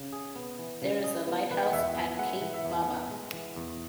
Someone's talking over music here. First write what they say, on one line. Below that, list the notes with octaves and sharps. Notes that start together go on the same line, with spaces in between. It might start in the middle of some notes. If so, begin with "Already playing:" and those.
There is a lighthouse at Cape Baba.
Already playing: C#3
G#4
B3
E3
C#3
G#4
B3
E3 B4
F#5
E2 E5
B3 G#5
G#3 F#5
E3
E5
E2
B3
G#3
E3
E2